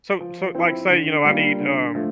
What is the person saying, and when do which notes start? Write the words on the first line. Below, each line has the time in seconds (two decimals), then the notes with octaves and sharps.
so so, like, say, you know, I need, um,
0.20 F3
0.55 C4 E4
0.89 D3
1.25 G3 A#3 F4
1.60 D3
1.95 F3 A3